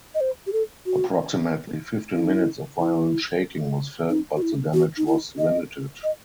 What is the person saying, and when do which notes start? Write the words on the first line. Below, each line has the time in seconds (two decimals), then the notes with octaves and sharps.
Approximately fifteen minutes of violent shaking was felt but the damage was limited.
0.15 D#5
0.21 C5
0.47 G4
0.53 A4
0.86 F#4
2.15 E4
2.25 D#4
2.34 E4
2.79 E4
4.10 D#4
4.36 F#4
4.42 E4
4.73 F#4
4.97 D#4
5.07 E4
5.38 D#5
6.04 D#5